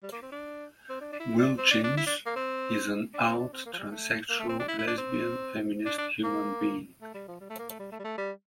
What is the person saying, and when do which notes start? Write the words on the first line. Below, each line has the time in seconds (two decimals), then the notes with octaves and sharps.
Wilchins is an out transsexual lesbian feminist human being.
0.03 G3
0.12 A#3
0.23 C4
0.32 D4
0.89 C4
1.01 D4
1.12 D4
1.20 E4
1.38 D4
1.58 C4
1.71 D4
1.84 D4
1.97 E4
2.07 D4
2.26 A#3
2.36 C4
3.14 D4
3.27 C4
3.39 D4
3.53 C4
3.66 A#3
3.73 F3
3.78 G3
3.91 A3
4.29 A#3
4.39 A3
4.49 C4
4.60 D4
4.68 E4
4.79 E4
4.87 D4
4.98 C4
5.86 D4
5.98 D4
6.24 A#3
7.02 A3
7.14 G3
7.28 F3
7.40 G3
7.50 A3
7.59 A#3
7.70 A3
7.80 G3
7.92 A3
7.99 G3
8.04 A3
8.18 G3